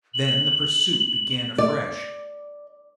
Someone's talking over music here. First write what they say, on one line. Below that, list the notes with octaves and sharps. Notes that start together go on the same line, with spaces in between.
Then the pursuit began afresh.
F#7
D5